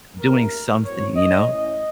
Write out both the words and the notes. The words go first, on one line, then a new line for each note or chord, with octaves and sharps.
doing something, you know,
D#2 C#3 A3 A#4
A2 F#3 C4 C#5
D#5
A2 A3 C#4 D#5